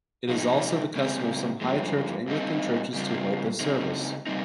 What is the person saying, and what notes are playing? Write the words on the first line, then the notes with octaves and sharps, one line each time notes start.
It is also the custom of some high-church Anglican churches to hold this service.
C3 F3 G#3 D#4
C#3 G#3 C4
G2 F3 G#3
G#2 G3 C4 D#4
C#3 G3 C4 F4
C#3 G#3 C4 D#4
C3 G3 C4 D#4